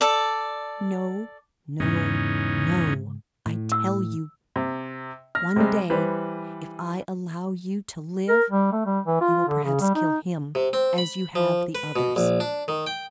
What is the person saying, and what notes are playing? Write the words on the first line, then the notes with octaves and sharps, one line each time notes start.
"No, no, no, I tell you; one day, if I allow you to live, you will perhaps kill him, as you have the others!"
A4 D5
E2 G#2 C#3 C#4 D#4
A2
E6
C3
F6 A#6
C3 G3 G#3
E3 G3 B4 C5
A#4
G3
A3
G3
E3
F4
D3
C#3
G3
D#4
C3
C4
B5
F3
B4
B2
A#1
D4
D#3
G5